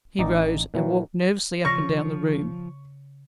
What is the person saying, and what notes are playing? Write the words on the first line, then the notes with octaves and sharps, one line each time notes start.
He rose, and walked nervously up and down the room.
A1 D#4 D5 A#5
A#2 E3 F#3
C#3 F3 C#6 A#6